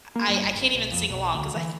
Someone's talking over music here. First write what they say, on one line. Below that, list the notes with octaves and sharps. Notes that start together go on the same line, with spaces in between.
I I I can't even sing along 'cause I I
A#3
G2
G1
G1
B1
F2
B1
D2
E3